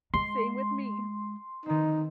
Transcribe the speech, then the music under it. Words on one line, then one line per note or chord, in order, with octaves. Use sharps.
Same with me.
G#3 C6
D#3 C4 D#4